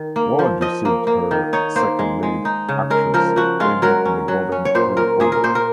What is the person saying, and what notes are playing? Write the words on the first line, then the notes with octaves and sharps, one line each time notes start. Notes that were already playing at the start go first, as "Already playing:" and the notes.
Ward received her second lead actress Emmy and a Golden Globe Award.
Already playing: D#3
A#3
F3
F3 D#5
A#3
A#3
D#3
D#4 C#5
A#3 C5
G#3
G#3
D#4
C#3
G#3 A#4
F3 A#4
F3 F#4
G#3 F4
F#3 A#4
C#4
F#3
C#4
C#5
A#2 C5
A#2 A#4
A#2 G#4
A#4
A#2 C5
A#4